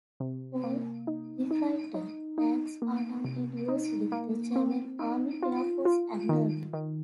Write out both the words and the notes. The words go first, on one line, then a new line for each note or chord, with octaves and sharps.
All "Gefreiter" ranks are now in use with the German Army, Airforce and Navy.
C3
A#3
D#4
D#4
D#4
D#4
A#3
C3
D#4
A#3
C4
D#4
F4
F4
D#3
D#3